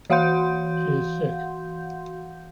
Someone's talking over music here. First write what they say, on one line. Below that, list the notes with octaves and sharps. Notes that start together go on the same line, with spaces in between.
She is sick.
E3 F#4 F5 F#5 C6 G6